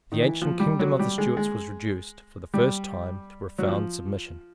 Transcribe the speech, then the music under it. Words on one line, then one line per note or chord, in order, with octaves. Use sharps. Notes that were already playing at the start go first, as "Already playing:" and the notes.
The ancient kingdom of the Stuarts was reduced, for the first time, to profound submission.
D#3
E3
F3
G3
F#3
G3
G#3
G#3
G3
F#3
F3